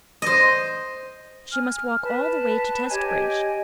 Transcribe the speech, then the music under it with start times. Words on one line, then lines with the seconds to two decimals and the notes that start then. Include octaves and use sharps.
She must walk all the way to Testbridge.
0.22 C5 D#5
1.52 G#5 F6
2.03 B4 A5
2.90 G4 C#5 D#5 G#5